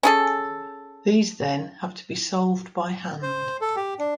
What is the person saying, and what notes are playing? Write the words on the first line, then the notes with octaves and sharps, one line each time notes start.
These then have to be solved by hand.
C#4 G#4 A4
C5
A4
G4
D4